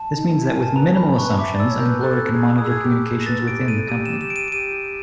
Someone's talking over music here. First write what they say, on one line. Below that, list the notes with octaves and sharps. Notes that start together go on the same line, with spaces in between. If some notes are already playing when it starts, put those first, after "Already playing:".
This means that with minimal assumptions an employer can monitor communications within the company.
Already playing: A5
D#4
D#4
E4
G#5
A#4
A5
B4 A#5
A4
A#4 B5
B4 C#6
E5 D6
D5
E6
C#5
A#4 G6
B4
A4 F#6
G#4
D#6
G#4 E6
G4
G#4
A#6
B4 A6
F#4
G4 D7
G#4
A4 D#7
G4 D#7
E7
G4 E7
D7
D#7
D7
G4 D#7